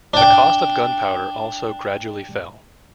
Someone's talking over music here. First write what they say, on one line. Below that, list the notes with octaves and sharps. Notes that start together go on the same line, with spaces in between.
The cost of gunpowder also gradually fell.
D4 G5